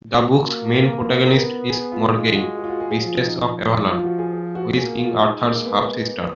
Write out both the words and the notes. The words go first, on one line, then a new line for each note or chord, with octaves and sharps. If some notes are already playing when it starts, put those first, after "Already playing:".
The book's main protagonist is Morgaine, priestess of Avalon, who is King Arthur's half-sister.
F#4
A#3
A#4
B3 A#4
G#4
F4
G#3 F4
F#4
F#4
F4
F#4
G#4
G#4
F3 F4
D#4
F3 F4
F#4
G#4
G#4
F#4
A#3 G#4
F4
G#3 D#4
A#3
B3